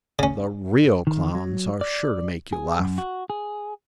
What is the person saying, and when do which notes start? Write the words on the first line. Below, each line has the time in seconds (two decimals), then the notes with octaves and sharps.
The real Clowns are sure to make you laugh.
0.19 C#3 C#4
1.07 D#3
1.35 F#3
1.81 D5
2.53 G#4
2.80 F#2
2.98 F#4
3.30 G#4